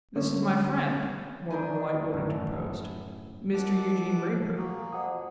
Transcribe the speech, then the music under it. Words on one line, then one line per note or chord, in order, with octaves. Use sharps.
'This is my friend,' Mortimer Lightwood interposed; 'Mr Eugene Wrayburn.'
D3 C#4
D4 D#4 B4 G#5
F#2 A2
D#2 A4 F#5 D6
A#3 F#4 G#4
F2 F#5 D6 D#6